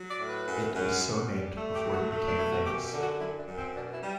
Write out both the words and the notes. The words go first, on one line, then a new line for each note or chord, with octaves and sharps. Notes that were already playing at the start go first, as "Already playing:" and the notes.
It was so named before he became famous.
Already playing: F#3
D5
A2
B4
F#2
F#2
F#2
G3
A3 A4
G4
F#3
F#4
A3
D4
B2 E4
F#4
F#2 G4
G4
D3
F#4
F#2 E4
D4
F#2
C4
B2 D4
E4
G3